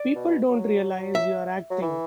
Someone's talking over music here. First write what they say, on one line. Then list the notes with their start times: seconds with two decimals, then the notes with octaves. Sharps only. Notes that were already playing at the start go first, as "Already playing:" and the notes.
People don't realize you're acting.
Already playing: D5
0.15 B2
0.49 F#3
1.15 E5
1.70 F#3
1.82 E3